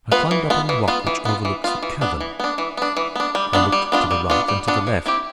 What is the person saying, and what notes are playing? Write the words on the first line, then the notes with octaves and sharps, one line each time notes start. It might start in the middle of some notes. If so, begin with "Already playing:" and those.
I climbed up on the rock which overlooks the cavern; I looked to the right and to the left.
B3 F4 B4
E3
B3 F4
E3
B3 F4
E3
B3 F4
E3
B3 F4
E3
B3 D4
E3
B3 D4
E3
B3 D4
E3
B3 D4
G3
B3 D4 F4
G3
B3 D4 F4
G3
B3 D4 F4
G3
B3 D4 F4
F3
C4 E4 G4